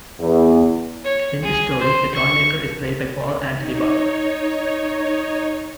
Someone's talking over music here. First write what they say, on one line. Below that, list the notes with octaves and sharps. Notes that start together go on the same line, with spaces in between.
In this story, the Toymaker is played by Paul Antony-Barber.
E2
C#5
G#4
C5
C#6
D#4 C#5